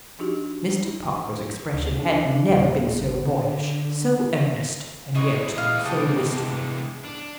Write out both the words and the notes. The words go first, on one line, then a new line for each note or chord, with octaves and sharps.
Mr. Parker's expression had never been so boyish, so earnest, and yet so wistful.
F3 D4 D#4 F#4 G4
D2
D4
D#2
G1
D3
E3 G#3 D#5 C#6
A#2 D#5 F5
C3 G4 A5 D#6
D4